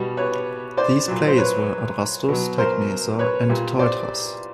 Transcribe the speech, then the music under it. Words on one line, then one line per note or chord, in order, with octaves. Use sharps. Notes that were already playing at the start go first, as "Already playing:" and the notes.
These plays were "Adrastus", "Tecmesa" and "Teutras".
Already playing: B2 G3
B4 C#5
C5 D5
A#2 F#3
C5
B4 C#5
B2 F#3
A#4 C5
B4 C#5
A#2 G3
C5 D5